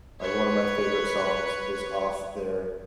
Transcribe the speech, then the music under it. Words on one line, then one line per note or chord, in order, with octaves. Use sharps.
like, one of my favorite songs is off their
B4 C#5